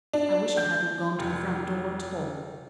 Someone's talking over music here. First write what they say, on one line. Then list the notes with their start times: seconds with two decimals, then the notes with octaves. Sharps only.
I wish I hadn't gone to the front door at all.
0.13 D4
0.57 G6
1.19 F1